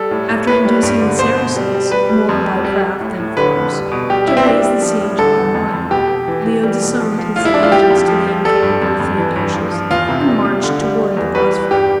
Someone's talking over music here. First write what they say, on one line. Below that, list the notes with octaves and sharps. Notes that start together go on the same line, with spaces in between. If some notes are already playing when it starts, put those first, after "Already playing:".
After inducing the Saracens, more by craft than force, to raise the siege of Amorium, Leo disowned his allegiance to the incapable Theodosius and marched toward the Bosphorus.
Already playing: G3 A4
A2
A2
A2 B4
G3
G2
D3
B2 C5
B2
G3
G3
G3 B4
G3
F2
G3
G3
G3
A2
A2
D3 B4
F2
G3
B2
G3 G4
G3 E4
C4
G3 D4
G3
F3
A2
D3 A4
E2
F2
F2
B2 G4
B2
E3
E3
G3
B2
F3
F3
A2 F4
E4
F3 D4
F4
G3 G4
F2
F3
F3
G3 A4
G2
F2
F2
E3
G2
F3
F3
E2 F4
C3
G3
G3
D3
G3
G3
E2
G3 B4
G3
G2 G4